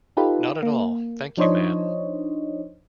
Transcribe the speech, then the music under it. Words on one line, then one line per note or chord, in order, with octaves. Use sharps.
Not at all, thank you, ma'am.
D#4 F4 G4 A4 B4
A#3
F3 D4 D#4 C5 C#5 D#5